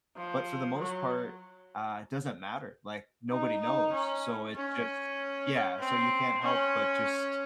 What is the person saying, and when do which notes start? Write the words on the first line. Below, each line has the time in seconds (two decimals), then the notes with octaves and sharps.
But for the most part, uh, it doesn't matter, like, nobody knows. So, it's just Yeah, so, you can't help but just
0.17 F3
0.79 F#3
3.29 D#4
3.61 D#4
3.93 C#4
4.55 C#4
5.79 C4
6.42 C#4